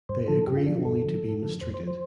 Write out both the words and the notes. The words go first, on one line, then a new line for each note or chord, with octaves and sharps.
They agree only to be mistreated.
G2 C5
D3 F3 A4
G2 G4
F4
D3 F3 D4
F4
G2 A4
D3 F3
G2
D3 F3
F2 C5
C5
F3
C5